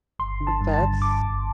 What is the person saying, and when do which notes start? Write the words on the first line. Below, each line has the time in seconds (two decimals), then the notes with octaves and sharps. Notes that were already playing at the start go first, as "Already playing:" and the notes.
Um, vets?
0.19 G1 C6
0.41 D3
0.47 A5
0.61 G2
0.74 A5
0.81 D3
1.01 G1 D6
1.22 G1